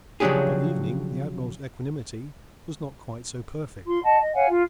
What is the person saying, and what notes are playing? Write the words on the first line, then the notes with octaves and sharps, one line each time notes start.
But by evening the Admiral's equanimity was not quite so perfect.
C#3 F3 F#3 D4 G4 G#4
F4 C6
D#5 F#5 A5
D#5
C#5 F5 F#5 G#5
F4